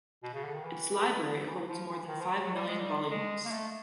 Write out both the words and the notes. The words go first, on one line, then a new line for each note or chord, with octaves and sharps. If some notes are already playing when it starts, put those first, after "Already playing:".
Its library holds more than five million volumes.
B2
C#3
D3
D#3
E3
E3
F3
E3
D#3
F3
F#3
F#3
G3
G#3
G3
G#3
A#3
A3